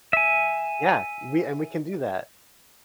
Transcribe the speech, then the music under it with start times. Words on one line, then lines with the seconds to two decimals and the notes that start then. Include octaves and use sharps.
Yeah, we and we can do that.
0.13 E5 G#5